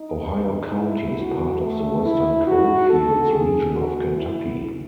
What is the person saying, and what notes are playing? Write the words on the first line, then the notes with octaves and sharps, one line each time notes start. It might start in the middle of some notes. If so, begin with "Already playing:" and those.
Ohio County is part of the Western Coal Fields region of Kentucky.
Already playing: D#4
E4
F#4
A3
E4
F#4
A4
G#4
F#4
E4